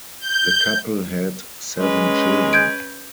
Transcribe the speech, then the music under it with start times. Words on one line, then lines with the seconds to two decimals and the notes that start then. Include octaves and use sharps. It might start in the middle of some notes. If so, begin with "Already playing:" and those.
The couple had seven children.
0.20 G6
1.78 G#3 C#4 B4
2.53 G6 G#6 D7